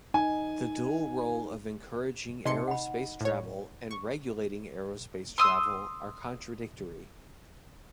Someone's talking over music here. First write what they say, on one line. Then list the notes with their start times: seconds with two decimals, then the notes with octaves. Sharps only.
The dual role of encouraging aerospace travel and regulating aerospace travel are contradictory.
0.14 D#4 G#5
2.45 C3 D#4 D#5 C6 C#7
2.68 F#5 B5
3.21 A2 C#5
3.91 C#6
5.38 C6 D#6 E6